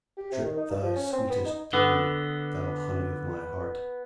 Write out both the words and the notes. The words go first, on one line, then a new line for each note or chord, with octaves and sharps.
Drip thy sweetest dew, thou honey of my heart!
G4
C3
D#3
D#4
G2
F3
C#4
C4
B3
D#4
D3 B3